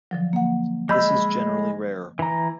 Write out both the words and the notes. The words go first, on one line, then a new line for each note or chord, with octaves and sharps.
This is generally rare.
D3 F3 F#3
A#3 F#5
G#3 D#5 B5 E6 G6
E3 A#5